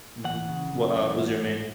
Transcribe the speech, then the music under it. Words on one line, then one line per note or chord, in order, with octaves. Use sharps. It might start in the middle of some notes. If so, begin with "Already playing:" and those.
Mhm. Wha uh, who's your main?
E3 F#5
C#3
F#2
E3
G#2
G#2